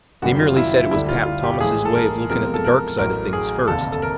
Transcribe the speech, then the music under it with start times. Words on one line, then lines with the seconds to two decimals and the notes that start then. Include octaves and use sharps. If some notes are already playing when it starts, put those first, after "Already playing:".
They merely said it was "Pap" Thomas' way of looking at the dark side of things first.
0.22 F#1 F#2 D#3 G3 F#4
0.40 F4
0.56 E4
0.74 E4
0.91 D2 D3 G3 E4
1.09 F4
1.26 F4
1.43 G4
1.60 A#1 A2 E3 G#3 G#4
1.85 A4
1.95 A#4
2.30 E2 C3 F3 G#3 A#4
2.54 A4
2.65 A#4
2.98 A1 A2 F#3 A#4
3.33 G#4
3.67 F1 D#2 D3 A4
3.92 A4
4.02 A#4